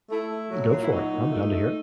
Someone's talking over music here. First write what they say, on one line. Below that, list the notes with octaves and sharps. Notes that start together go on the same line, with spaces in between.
Go for it, I'm down to hear it.
A3 E4
A3
F#3
A#2
E4
F#3 D#4
A#2
A3
A3